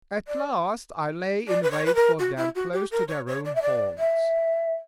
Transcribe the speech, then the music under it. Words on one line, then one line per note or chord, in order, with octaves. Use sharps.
At last I lay in wait for them close to their own haunts.
D5
D5
B4
C#5
B4
A#4
F#4
E4
F#4
G4
A#4
C#5
C#5
D5
E5
D5
E5